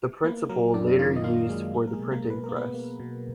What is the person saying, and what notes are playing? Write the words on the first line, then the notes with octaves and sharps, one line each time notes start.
The principle later used for the printing press.
A#3 B3 B4
F#3 A#3 A#4
F#2 D4 D5
D#3 F4 F5
D#5
A#3 F4 F5
F#3 G#3 G#4
A#3
A#4
G#3 G#4
B2
A#3 A#4
B2
B4
A#4
A#3
B3 B4
A#3
B2